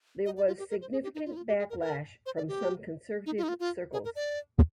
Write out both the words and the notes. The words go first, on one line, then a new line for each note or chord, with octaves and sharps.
There was significant backlash from some conservative circles.
D#5
D5
F4
G4
A#4
C5
G#4
G4
D#4
F4
D#4
F4
G4
G#4
A#4
A#4
C5
D5
G4
D#4
F4
D#4
F4
F4
G#4
A#4
D5